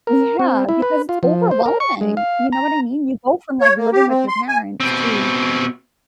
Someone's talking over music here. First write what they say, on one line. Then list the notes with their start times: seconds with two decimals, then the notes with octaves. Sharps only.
Yeah, because it's overwhelming, you know what I mean? You go from, like, living with your parents to
0.07 A#4
0.39 C4
0.69 E4
0.82 B4
1.09 F4
1.23 F3
1.51 C5
1.66 A#4
1.80 C#6
2.01 G#3
2.17 F5
2.53 A#5
3.61 C#5
3.77 A#3
3.93 G4
4.09 C4
4.28 C6
4.48 G#5
4.80 B2 C4